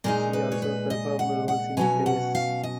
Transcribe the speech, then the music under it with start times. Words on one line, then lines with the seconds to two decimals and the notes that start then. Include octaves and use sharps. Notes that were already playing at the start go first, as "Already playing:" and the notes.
She also performed roles in plays.
0.04 A#2 G#3 D#4 A#4
0.33 B4
0.52 C#5
0.62 B4
0.90 D#5
1.19 F#5
1.48 F#5
1.77 B2 F#3 C#4 G#5
2.06 F#5
2.35 F5
2.63 D#5